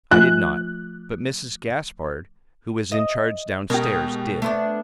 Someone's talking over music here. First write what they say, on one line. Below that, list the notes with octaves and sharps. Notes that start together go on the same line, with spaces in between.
"I did not, but Mrs. Gaspard, who was in charge downstairs, did."
F3 A3 F4 F#6
D#5
B2 G#3 G4 A#4
A3 B3 D4